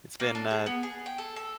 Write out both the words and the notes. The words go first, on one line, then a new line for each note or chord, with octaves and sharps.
It's been, uh
A#3
D4
G#4
B3
G#4
G5
A4
A4